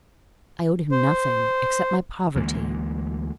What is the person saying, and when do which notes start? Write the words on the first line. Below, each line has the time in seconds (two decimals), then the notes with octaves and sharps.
I owed him nothing, except my poverty.
0.91 C5
2.35 D2 E3 G#3 A#3